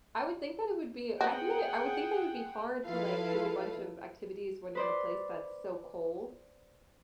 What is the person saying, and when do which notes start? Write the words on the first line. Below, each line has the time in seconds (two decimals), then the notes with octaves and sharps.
I would think that it would be I think that it I would think that it would be hard to, like, do a bunch of activities when you're in a place that's so cold,
1.21 B3 F#4 G#4 F#5 G5
2.84 F3 E4 F4 A4 B4 F5
4.75 B4 C5 D5